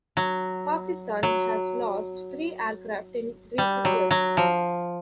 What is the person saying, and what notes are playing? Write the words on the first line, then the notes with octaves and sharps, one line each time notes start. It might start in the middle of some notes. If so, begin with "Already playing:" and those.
Pakistan has lost three aircraft in recent years.
F#3
F#3
G3
F#3
F#3
F3